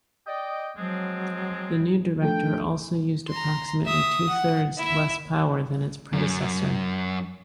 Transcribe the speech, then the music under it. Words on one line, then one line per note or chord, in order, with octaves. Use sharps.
The new director also used approximately two thirds less power than its predecessor.
D5 D#5 G5
F3 F#3 G#3 C4
F3 A3 D4 A4 G5
A#5 C6
E5 D#6
F#5
E4 E5
F#2